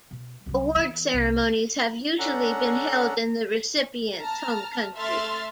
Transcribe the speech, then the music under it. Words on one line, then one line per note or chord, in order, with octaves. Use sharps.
Award ceremonies have usually been held in the recipient's home country.
B2
C2 F#3
E3 B3
C2
C#4 D4 A4 F#5 A#5
A5 A#5 F6
A3 E5 C6 F6 A6